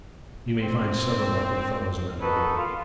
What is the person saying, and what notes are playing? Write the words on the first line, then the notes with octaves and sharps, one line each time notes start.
You may find several likely fellows in that neighbourhood.'
C4
D#3 B3 D#4 F#4 A4 B4
F4